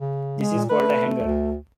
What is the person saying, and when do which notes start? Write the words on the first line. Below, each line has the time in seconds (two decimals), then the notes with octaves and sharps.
This is called a hanger.
0.01 C#3
0.36 G#3
0.54 A#2
0.69 A3 B4
1.23 D2